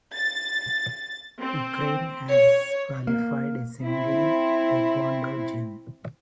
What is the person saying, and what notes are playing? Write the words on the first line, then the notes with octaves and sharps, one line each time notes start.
Ukraine has qualified a single taekwondo jin.
A6
C4
C#5
A#3
C4 E4